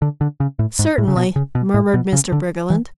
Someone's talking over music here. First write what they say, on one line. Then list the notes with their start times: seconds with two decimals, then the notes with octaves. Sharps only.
"Certainly," murmured Mr. Briggerland.
0.02 D3
0.21 D3
0.40 C#3
0.59 A2
0.79 G#2
0.98 A2
1.08 C#3
1.17 B2
1.36 C#3
1.55 B2
1.74 A2
1.94 B2
2.13 C#3
2.32 D3
2.70 E3